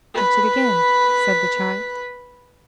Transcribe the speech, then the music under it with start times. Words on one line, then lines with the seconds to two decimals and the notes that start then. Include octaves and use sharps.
"Touch it again," said the child.
0.14 B4 B5